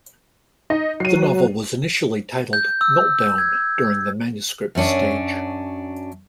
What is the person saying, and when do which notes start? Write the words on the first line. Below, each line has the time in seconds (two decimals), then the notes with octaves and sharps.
The novel was initially titled "Meltdown" during the manuscript stage.
0.70 D#4 D#5
1.00 F#3 C7 D#7
2.53 G6
2.81 E6
3.38 G#6
4.75 F#2 F#3 C#4 D4